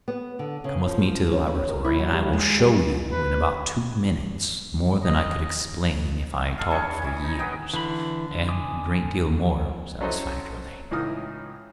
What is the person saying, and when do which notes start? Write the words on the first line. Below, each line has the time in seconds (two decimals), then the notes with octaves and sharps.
"Come with me to the laboratory, and I will show you in about two minutes more than I could explain if I talked for years, and a great deal more satisfactorily."
0.08 B3
0.39 D3
0.64 C#3
0.87 F3
1.32 C#4
1.47 B3
1.69 A#4
1.84 E4
1.99 F#3
2.12 G3
2.33 G#3
2.59 G3
3.12 B4
5.03 D#5
6.58 G#3 A4 F5
6.71 D4 G#4 B5 C#6
7.02 E3 C#4
7.24 D#4
7.39 A#3 B3 D#5 G5
7.74 D3 E3 B5
8.49 G#5 D6 D#6
10.01 F#3 C#4 E4 A4 C5 D#5
10.91 C#2 A2 E3 D#4 D#6 F6